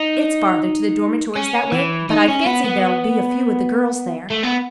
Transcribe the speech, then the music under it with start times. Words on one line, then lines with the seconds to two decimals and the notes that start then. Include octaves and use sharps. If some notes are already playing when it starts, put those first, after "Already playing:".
It's farther to the dormitories that way, but I fancy there'll be few of the girls there.
Already playing: D#4
1.36 C#4
1.72 E3
2.10 D#4
2.28 C#4
2.46 B3
2.64 B3
4.30 A3
4.43 B3